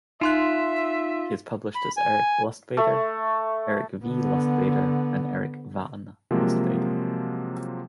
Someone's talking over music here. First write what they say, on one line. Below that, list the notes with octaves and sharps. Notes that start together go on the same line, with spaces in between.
He has published as Eric Lustbader, Eric V. Lustbader, and Eric Van Lustbader.
D#4 F4 E5 C6 F#6
B5
G#5
A3
D3 B3
C3 F3 F#3 G#3 A#3